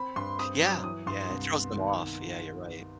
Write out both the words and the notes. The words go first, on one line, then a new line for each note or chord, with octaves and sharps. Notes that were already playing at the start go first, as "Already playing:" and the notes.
Yeah, yeah. It throws them off. Yeah, you're right.
Already playing: C4 B5
G2 C6
C4 D#6
F#3
E3 D#6
G2 C6
C2
B3
D#3